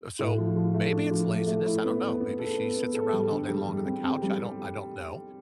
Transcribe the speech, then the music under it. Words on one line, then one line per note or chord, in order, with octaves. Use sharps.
so maybe it's laziness, I don't know. Maybe she sits around all day long on the couch, I don't I don't know,
A2
F3
F3
A3
D4
F3
A3
A3
E4
B3
B3
B3
A4
B3
B3
A4
G3
D3
G3
G3
C4
C4
G3